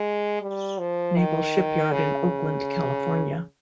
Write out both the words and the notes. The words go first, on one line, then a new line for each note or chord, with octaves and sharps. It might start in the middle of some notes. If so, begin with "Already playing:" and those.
Naval Shipyard in Oakland, California.
Already playing: G#3
G3
F3
D#3
C#3